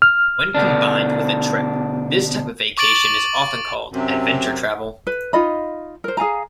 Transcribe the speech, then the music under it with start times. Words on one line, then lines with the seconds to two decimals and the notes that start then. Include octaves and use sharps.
When combined with a trip, this type of vacation is often called adventure travel.
0.02 F6
0.55 B2 D3 D4
2.78 C#6 D6 A6 D7 F#7
3.93 F#2 C3
5.07 B4
5.33 D#4 F4 D#5 B5
6.04 A#4 C5
6.17 G#4 F5 G#5 A#5